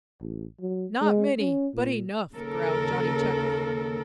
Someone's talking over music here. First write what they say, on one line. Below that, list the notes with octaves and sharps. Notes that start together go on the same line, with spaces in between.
"Not many, but enough," growled Johnny Chuck.
A1
F#3
G#3
C#4
A#2
D#2 C#3 A4 A#4